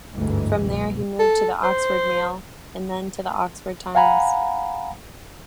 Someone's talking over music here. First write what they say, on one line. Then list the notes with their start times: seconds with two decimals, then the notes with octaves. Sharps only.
From there, he moved to the "Oxford Mail" and then to the "Oxford Times".
0.15 G1 D2 G#2 E3 G#3
0.58 F#1 C#2 B2
1.19 A4
1.63 C5
3.95 F5 F#5 G#5 A#5 B5